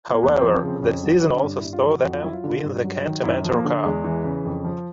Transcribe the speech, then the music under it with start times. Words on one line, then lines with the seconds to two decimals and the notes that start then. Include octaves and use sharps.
However, the season also saw them win the Kent Amateur Cup.
0.12 A#3
0.23 E2 B3
0.38 C4
0.43 F3
0.53 C4
0.62 C#3
0.68 C4
0.83 F2 C#4
1.03 F#3
1.23 D3
1.37 C#4
1.43 G2 D4
1.58 E4
1.64 G2
1.73 F4
1.84 E3
1.89 F#4
2.03 F2 F#4
2.13 F4
2.22 F#3 E4
2.33 F4
2.44 D3
2.64 G2
2.84 F#3
3.05 D#3
3.24 F#2 E4
3.44 F3
3.54 A#3
3.65 D3
3.84 E2 G#3
4.04 E3
4.24 C#3
4.45 F2
4.64 F3